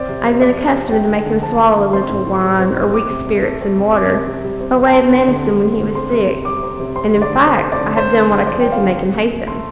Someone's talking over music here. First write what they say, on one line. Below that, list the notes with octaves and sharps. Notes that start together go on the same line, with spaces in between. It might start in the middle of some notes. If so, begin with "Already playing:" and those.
I have been accustomed to make him swallow a little wine or weak spirits-and-water, by way of medicine, when he was sick, and, in fact, I have done what I could to make him hate them.'
Already playing: C4 D5
C3
C3
F3 D5
C4
C3
A3 G5
D3
D3
F3 A5
A3
D3
C4 C6
A2
A2
G3
C4
A2
C4 D6
C3
C3
A3
C4
C3
C4 D6
C3
C3
G3
C4
C3
A5
C4 C6
D3
D3
G3
C4
D3
C4 C6
C3
C3
G3 D6
C4
C3
C4 C6
D3
D5
D3
A3 C5
C4
D5
D3
C4 C5
D3
D3
F3 D5
C4 G5
F5
D3
C4
C3
C3
A3 C6